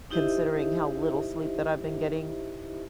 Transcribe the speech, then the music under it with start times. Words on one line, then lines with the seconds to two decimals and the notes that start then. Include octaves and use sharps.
considering how little sleep that I've been getting
0.11 D#4 E4 G4 C5 D#5 E5